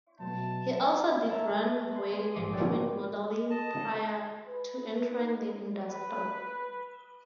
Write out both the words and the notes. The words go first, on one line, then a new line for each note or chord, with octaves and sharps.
He also did runway and print modeling prior to entering the industry.
B2 F#3 A3 A5
A4 C#5 E5 A5 A#5
A3
B4 C6
G#5 C6 D#6
A#1 G#2 F3 D6 D#7
F#4 G4 A4 C#5 D5 G5
D#5 A5
B4
D#4
B4